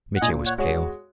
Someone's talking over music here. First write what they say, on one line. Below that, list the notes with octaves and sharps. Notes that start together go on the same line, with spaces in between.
Mitya was pale.
F#5
A#2 D#5 G#5
C#5 F#5
G#3 F#4 C#5